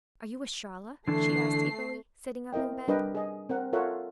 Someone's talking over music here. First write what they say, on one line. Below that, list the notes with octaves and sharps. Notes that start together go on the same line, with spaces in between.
"Are you Estralla?" she asked eagerly, sitting up in bed.
D3 E3 A3 D4 C7
C4 E4 A#4 D#5 G5
G3 D4 A#4 B4 D#5 G5
G#4 D#5
C4 A#4 F#5
F4 A4 A#4 C#5 E5 F#5